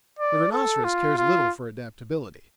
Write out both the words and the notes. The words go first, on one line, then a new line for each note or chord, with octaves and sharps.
The rhinoceros cares little for adaptability.
D5
A4
F4
F4